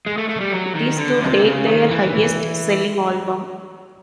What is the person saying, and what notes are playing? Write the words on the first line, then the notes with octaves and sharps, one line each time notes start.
It is to date their highest-selling album.
G#3
A3
A3
G3
F#3
D#3
D3
C3
C#3
D#3
E3